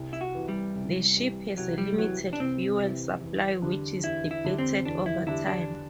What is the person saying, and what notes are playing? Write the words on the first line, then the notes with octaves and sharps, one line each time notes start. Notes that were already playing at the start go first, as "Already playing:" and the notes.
The ship has a limited fuel supply, which is depleted over time.
Already playing: C2
E4
F#4
C3 E3
G3
C2
C3 E3
C2 F#3
G3
C3 E3 F#3
D4
C2 C4
C3 E3
E2
D3 G3 D4
E2 E4
E4
D3 G3 D4
C4
E2 D4
E4
D3 G3 D4 E4
D4